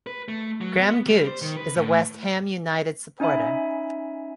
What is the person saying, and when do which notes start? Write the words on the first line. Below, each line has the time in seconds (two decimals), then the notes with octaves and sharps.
Graham Gooch is a West Ham United supporter.
0.07 B4
0.28 A3
0.61 F#3
0.80 B3
1.07 G3
1.27 C5
1.42 D#3
1.57 B4
1.76 A2
3.20 C#4 D#4 D#5 E5 G#5 B5